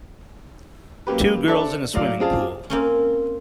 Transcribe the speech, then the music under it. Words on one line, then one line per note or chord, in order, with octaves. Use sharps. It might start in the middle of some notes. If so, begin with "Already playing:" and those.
Two girls in a swimming pool.
F#3 A#3 C#4 G4 B4
D4 A4 C5 D5 E5
A2 F#3 D5 F5 D6
C4 C#4 F4 G#4 F5 A5
A#3 C4 C#4